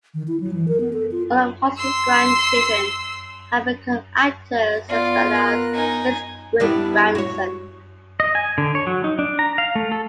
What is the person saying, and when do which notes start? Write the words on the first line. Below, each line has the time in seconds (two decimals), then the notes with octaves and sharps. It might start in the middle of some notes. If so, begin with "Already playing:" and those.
All of Huston's grandchildren have become actors, as well as his great-grandson.
0.14 D#3
0.28 E4
0.40 F#3
0.54 E3
0.68 A#4
0.80 B3
0.93 A4
1.12 F4
1.78 C6 E6
4.89 B3 F4 D5
5.32 A#4 F#6
5.73 D#4 G#5
6.60 G3 B3 D4 E4
7.15 F#4 C#5
8.20 D#5
8.35 G#5
8.58 D3
8.75 C#5
8.87 F#3
9.04 D#4
9.19 D4
9.39 A#5
9.58 F5
9.75 A3
9.92 A4